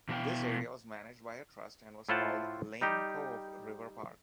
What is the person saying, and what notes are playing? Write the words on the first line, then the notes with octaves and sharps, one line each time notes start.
This area was managed by a trust and was called Lane Cove River Park.
B2 E3 B3 A#4 F5 G5
A2 E4 F4 C5 F#5 A5
G3 D#4 G4